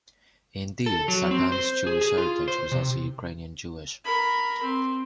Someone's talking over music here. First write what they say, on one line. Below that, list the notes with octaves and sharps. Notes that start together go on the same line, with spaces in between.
Indeed, Sagan's Jewish heritage was also Ukrainian Jewish.
A4
F#3
C4
C5
G#4
G#4
F4
C5
C3
A#4 B5
C4